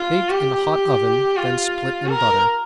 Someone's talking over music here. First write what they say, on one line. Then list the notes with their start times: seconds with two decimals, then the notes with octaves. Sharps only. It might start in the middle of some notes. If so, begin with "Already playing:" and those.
Bake in a hot oven, then split and butter.
Already playing: F4
0.29 G4
1.36 F4
2.08 A#4